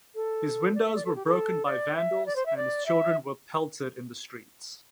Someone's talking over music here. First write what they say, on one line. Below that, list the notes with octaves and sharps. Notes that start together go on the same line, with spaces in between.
His windows were broken by vandals, and his children were pelted in the streets.
A4
D5
E5
D5
A4
G4
A4
D5
E5
D5
C5
E5
D5
E5